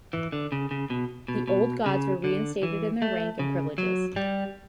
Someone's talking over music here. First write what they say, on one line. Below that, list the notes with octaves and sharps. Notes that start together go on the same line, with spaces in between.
The old gods were reinstated in their rank and privileges.
E3
D3
C#3
C#3
B2
B2
B2
C#3
D3
E3
A3
C#3
F#3
G3